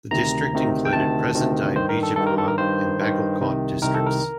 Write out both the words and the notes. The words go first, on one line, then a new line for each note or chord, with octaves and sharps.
The district included present-day Bijapur and Bagalkot districts.
D2 C3 D#3 A#5
D2 C3 D#3
G5
D2 C3 D#3 A5
D2 C3 D#3
G2 D#3 C5
A#4
A4
G2 D#3 A4
A#4
A4
A#4
G2 D#3 C5
G2 D#3
C2 C3 D#3
C2 C3 D#3 A#4
A4
A#4